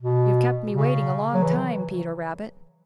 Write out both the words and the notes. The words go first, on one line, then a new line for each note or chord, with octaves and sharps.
You've kept me waiting a long time, Peter Rabbit.
B2
C#3
F#3
E3